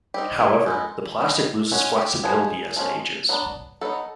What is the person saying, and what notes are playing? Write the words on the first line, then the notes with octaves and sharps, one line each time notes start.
However, the plastic loses flexibility as it ages.
G3 C4 D#4 G4
E4
G#3 B3 D#4
G3 B3 D#4
G#3 C#4 F#4
G4
F3 G#3 B3 D#4 G#4
F3 G#3 C#4
F#3 B3 D4
F#3 B3 D#4 A4